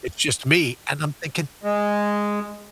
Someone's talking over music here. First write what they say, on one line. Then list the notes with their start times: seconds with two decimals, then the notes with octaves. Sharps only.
It's just me," and I'm thinking,
1.63 G#3